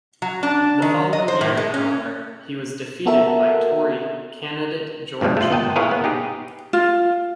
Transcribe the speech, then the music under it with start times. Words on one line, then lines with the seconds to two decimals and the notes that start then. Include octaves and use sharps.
The following year, however, he was defeated by Tory candidate George Hutton.
0.22 F#3
0.43 D4
0.82 D#3
1.13 D#5
1.28 C5
1.41 A2
1.57 G#3
1.74 C#4
3.06 B3 F#4 A4 A#4 E5
5.21 G2 B2 F3 G3 G#3
5.37 A3 F4
5.50 G1 A#2 B3 D#5 G5 A5
5.76 E4 G#4 A#4 B4 C#5 F5
5.91 B3
6.04 D#4 G4 G#4
6.73 F4